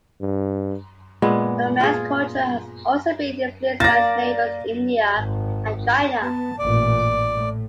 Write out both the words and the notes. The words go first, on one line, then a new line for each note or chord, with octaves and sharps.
Burmese culture has also been influenced by its neighbours India, and China.
G2
A#2 G#3 B3
F4 G#4
A#3 D5 A6 A#6
G#1
B3 A5
A1 A#2 D5
A2